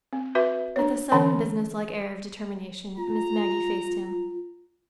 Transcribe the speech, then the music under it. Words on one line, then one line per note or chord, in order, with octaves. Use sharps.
With a sudden businesslike air of determination Miss Maggie faced him.
C4
F#4 B4 E5
D4 C#5
D3 E3 C#4 C#5
F4 A#5